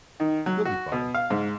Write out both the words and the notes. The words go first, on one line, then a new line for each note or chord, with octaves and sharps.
"You'll be fine."
D#3
F#3
F#4
B2
F5
G#2